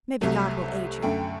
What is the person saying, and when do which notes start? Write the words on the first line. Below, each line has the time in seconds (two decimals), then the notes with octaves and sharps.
Maybe God will aid you.
0.21 C2 C3 F#3 A3
1.02 F#2 D3 A3 G5